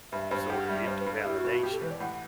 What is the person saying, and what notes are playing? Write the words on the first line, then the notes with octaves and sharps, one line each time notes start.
sort of empty validation
G2 E5
G2 C5
G4 F#5
G3 E5
G2 C5
B4
G2
A4
E4 G4
F#4
B2
F#4
G4
A4
E3 B4
D5
A2 F#5